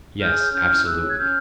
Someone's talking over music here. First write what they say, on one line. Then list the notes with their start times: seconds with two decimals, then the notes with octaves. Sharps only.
"Yes; absolutely."
0.20 G#4 F6 G6
0.37 C#5
0.53 C#4 F6 G6
0.69 E4
0.85 G#4 E6 F#6
1.01 C#5
1.10 G#6
1.17 C#4 F6 G6